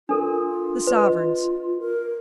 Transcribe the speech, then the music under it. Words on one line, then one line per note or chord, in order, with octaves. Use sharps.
The sovereigns!
D4 F4 A4 A#4
B4 D#5
A#4